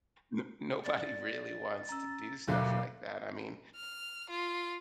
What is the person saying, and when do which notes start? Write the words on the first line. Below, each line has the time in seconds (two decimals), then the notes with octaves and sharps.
No nobody really wants to do stuff like that, I mean,
0.84 D5 A6
1.89 C#4 A#5 E6
2.48 G#1 D#2 B2 D3 F#3 E5 F5 F#6
3.77 F6
4.30 F4